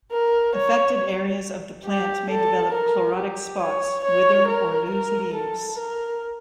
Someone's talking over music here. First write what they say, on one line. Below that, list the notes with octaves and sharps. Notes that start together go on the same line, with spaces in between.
Affected areas of the plant may develop chlorotic spots, whither, or lose leaves.
A#4
C#5
G4
A4
A#4
G4
C#5
C#5
A#4
A#4
A4
A#4